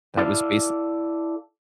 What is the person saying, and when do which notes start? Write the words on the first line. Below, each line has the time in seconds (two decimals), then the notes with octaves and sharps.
that was base
0.17 E4 A4 D5 F5